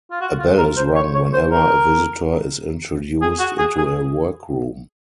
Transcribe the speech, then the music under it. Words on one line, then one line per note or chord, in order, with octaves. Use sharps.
A bell is rung whenever a visitor is introduced into a workroom.
F4
F#4
F4
A#4
C5
C#5
C#5
C5
A#4
G#4
F#4
G#4
G#4